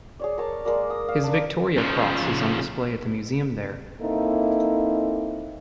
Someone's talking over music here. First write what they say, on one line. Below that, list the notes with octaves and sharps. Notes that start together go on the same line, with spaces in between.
His Victoria Cross is on display at the museum there.
G#4 C#5 D5
A#4 C#5 A5
G#3 A#3 A#4 D5
D#6
F5
A#3 D4
C#3 F3
A#3 C4 D#4 E4 A4